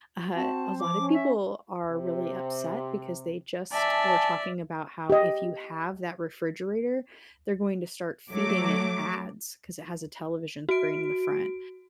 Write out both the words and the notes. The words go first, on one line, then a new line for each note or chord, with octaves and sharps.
uh, a lot of people are really upset because they just were talking about how if you have that refrigerator, they're going to start feeding it ads, 'cause it has a television screen in the front,
C4 F#4 A5
F3 D6
C#4
E5
C3
D5 E5 G#5 A5
G4 D#5
F#3 A3 D6
F#4 D7